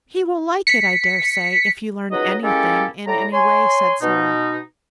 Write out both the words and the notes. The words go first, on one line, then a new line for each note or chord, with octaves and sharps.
"He will like it, I dare say, if you learn anything in any way," said Sara.
B6 C#7
C#2 F#3 D#4 B4 D#5
G#3 A#3 C#4 E4 G4 A4
A2 D5 A#5
C#5 G#5 C6
B2 D#4